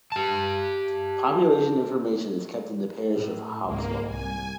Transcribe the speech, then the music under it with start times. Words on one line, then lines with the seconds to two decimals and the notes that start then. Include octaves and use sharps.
Population information is kept in the parish of Hauxwell.
0.12 G4 A5
3.15 A2
3.65 G#1 C#2 A#3
4.06 C2 G#5